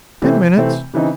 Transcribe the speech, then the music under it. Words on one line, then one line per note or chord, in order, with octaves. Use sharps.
"Ten minutes."
C3 E3 A3 C4
C3 E3 A3 C4
C#3 E3 C4 D#4